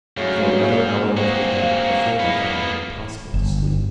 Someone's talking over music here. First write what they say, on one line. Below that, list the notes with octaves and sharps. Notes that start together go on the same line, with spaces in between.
And for another hour after that the former found it impossible to sleep.
F#2 A2 C#3 F#4
G#3 A#3 G#4
A#3 C4 F#4 G#4
F5
E2 A#3 B3 B4 D#5
G1